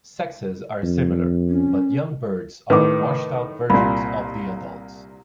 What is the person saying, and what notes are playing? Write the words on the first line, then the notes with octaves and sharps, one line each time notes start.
Sexes are similar, but young birds are washed-out versions of the adults.
F2
C#4
A2 D#3 B4 D6
C2 A#2 B5